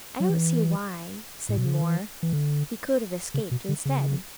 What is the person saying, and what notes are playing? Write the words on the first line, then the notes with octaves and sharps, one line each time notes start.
"I don't see why," said Moore; "he could have escaped instead."
F#3
E3
A2
B2
C#3
D3
E3
E3
D3
C#3
B2
D3
C#3